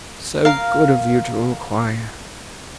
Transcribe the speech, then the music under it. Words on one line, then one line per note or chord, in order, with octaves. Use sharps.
So good of you to inquire!
A#4 F5